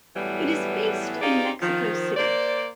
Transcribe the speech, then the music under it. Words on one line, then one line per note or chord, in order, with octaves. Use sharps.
It is based in Mexico City.
A2 E3 F#3 G3 B3
D#4 F4 G4 G#4 D5
D#3 F3
A#3 C5 D5